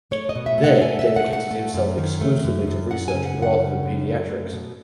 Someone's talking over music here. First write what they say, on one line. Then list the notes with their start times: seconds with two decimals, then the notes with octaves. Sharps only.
There he dedicated himself exclusively to research rather than paediatrics.
0.11 A3 C#5
0.29 D#5
0.35 B2
0.46 E5
0.58 A3
0.64 F#5
0.81 A3 G#5
0.99 E5
1.04 A3
1.16 F#5
1.27 B2
1.33 F#5
1.51 A3
1.74 F#2
1.98 D#3
2.21 A3
2.44 F#2
2.67 F#2
2.90 F#2 F#5
3.08 G#5
3.14 C#3
3.25 F#5
3.38 F#2 F#5
3.60 C#3
3.83 F#2
4.07 F#2
4.30 A3
4.53 B2